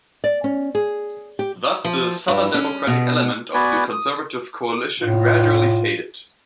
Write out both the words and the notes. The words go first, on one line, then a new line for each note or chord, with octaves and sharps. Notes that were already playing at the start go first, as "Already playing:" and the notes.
Thus the Southern Democratic element of the conservative coalition gradually faded.
D5
C#4
G#4
G4
F3
G2
C#4
B2
B3 F#4 B4 D5 G#5
D#6
A2 F4